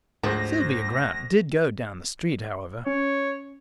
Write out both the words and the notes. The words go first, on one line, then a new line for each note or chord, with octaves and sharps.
Sylvia Grant did go down the street, however.
D2 G#2 F3 F#3 G#3 C5 A#6
C#4 C#5